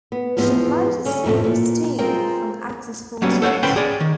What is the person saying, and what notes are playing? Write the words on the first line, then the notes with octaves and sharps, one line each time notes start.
She later saved Steve from Axis forces.
B3
E2 G#2 F3 B3 C4
D3 G3 C#4
F2 A2 C3 A3
A#2
G#3 C4 F4 A#4 G5
F#3 G3 A#3 B3 C#4
A4 C5 C#5 F#5
D2 A2 C#4 B4 C5 G5
G#4 D5
D#3